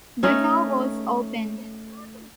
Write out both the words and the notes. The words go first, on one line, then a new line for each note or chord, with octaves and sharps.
The door was opened.
A3 C#4 D#4